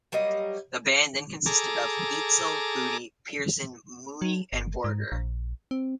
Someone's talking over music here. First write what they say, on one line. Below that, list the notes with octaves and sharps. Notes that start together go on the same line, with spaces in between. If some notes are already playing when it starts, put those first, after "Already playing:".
The band then consisted of Eitzel, Vudi, Pearson, Mooney, and Borger.
F#3 G3 A#3 D#5
G#4 A4 A#5 D6
F#3
G1
G#2
A#1
C4